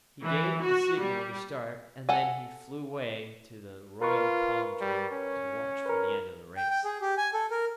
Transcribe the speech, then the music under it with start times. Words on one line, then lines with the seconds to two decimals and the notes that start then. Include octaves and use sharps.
He gave the signal to start and then he flew away to the royal palm tree to watch for the end of the race.
0.23 E3
0.62 F#4
0.99 G3
2.09 A4 F#5 G#5
4.02 F4 A#4 B4 C#6
4.81 G3
5.13 C#4
5.86 A#4 B4
6.57 G5
6.70 G5
6.84 G#4
7.01 G4
7.17 G#5
7.34 A4
7.51 A#4